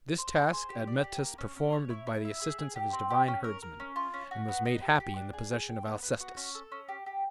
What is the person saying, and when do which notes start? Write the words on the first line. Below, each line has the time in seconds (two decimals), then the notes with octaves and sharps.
This task Admetus performed by the assistance of his divine herdsman, and was made happy in the possession of Alcestis.
0.18 C5
0.36 G#4
0.53 C5
0.69 G4
0.87 D5
1.04 G4
1.22 A#3
1.38 C#4
1.56 C#4
1.72 C#5
1.90 E4
2.07 E4
2.25 E5
2.41 G#4
2.58 G#4
2.76 G4
2.93 C4
3.10 G4
3.28 C#4
3.44 A#4
3.63 A#4
3.80 C#4
3.96 F4
4.14 C#4
4.31 F#4
4.48 B3
4.65 D#4
4.82 G4
5.00 G4
5.16 D4
5.33 G#4
5.51 G#4
5.69 G5
5.85 B3
6.03 B3
6.20 F#4
6.37 C#4
6.54 A4
6.72 C#4
6.89 G4
7.06 G4